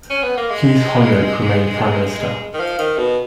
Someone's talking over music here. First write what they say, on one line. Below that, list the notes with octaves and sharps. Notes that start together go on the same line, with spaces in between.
Keith Holyoake remained Prime Minister.
C#4
B3
A#3
G#3
G#3
D#3
F3
D#3
B2